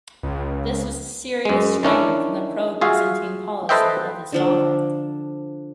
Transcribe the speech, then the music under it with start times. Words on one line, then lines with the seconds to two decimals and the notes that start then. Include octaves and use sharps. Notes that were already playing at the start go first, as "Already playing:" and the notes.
This was a serious straying from the pro-Byzantine policy of his father.
0.23 C#2
1.45 F#2 G#3
1.83 D#3 C#4 D4 E4
2.81 F4 F#4 G#4 E5 F5
3.69 A4 B4 C5 D#5 E5 G5
4.32 D3 F3 D4